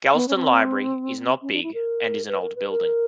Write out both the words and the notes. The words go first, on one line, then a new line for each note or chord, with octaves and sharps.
Galston Library is not big and is an old building.
B3
C#4
C4
C#4
D4
E4
A#4
B4
A#4
B4
A#4